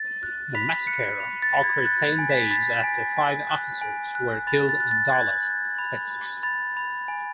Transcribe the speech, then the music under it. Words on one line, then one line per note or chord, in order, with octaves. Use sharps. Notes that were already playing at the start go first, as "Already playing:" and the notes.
The massacre occurred ten days after five officers were killed in Dallas, Texas.
Already playing: A6
F#6
B5 B6
F#6 C#7
B5
A6
B5
G#6
F#6 A6
G#5
B6
B5 A6
G#5
G#5
F#6
G#5
F#6
B5 A6
A6
F#6
A6
F#6 G#6
F#6
B5
B5
B5 A6
B5
G#5